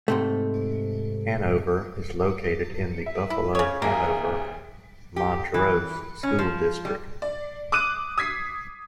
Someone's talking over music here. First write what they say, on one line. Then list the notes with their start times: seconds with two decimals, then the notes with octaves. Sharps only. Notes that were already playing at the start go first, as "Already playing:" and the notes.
Hanover is located in the Buffalo-Hanover-Montrose school district.
0.08 G#2 C3 A3
3.06 E5
3.30 E4
3.55 C#3 C#5
3.82 D#2 A#3 G#4 E5
5.16 G4
5.54 E3
6.23 C#4
6.39 F3
6.85 G3
7.22 D5
7.72 D6 D#6 F#6 D#7
8.18 D#6 G#6 B6 C7